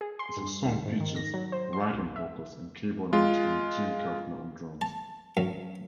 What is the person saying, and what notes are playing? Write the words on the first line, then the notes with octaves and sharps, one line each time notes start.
The song features Wright on vocals and keyboards and Jim Keltner on drums.
G#4
C6
G2
D#2
G#2
D#3
A#6
F#3
C5
C6
B1
E5
G#3 F4
A5
F#2